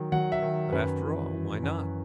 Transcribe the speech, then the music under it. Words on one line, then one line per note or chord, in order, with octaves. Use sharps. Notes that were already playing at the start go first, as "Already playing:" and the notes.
But, after all, why not?
Already playing: D#3 F#3
F#3 F#5
E5
D#3
F#2 B4
E3
E3
F#2